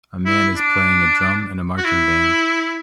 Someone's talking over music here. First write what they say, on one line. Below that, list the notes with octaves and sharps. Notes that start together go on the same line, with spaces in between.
A man is playing a drum in a marching band.
E4
D4
F#4
E4